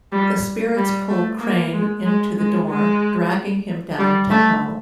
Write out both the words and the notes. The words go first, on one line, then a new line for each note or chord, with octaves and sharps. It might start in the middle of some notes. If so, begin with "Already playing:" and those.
The spirits pull Crain into the door, dragging him down to Hell.
G3
G3
A3
A#3
G#3
G#3
G#3
G#3
G3
A3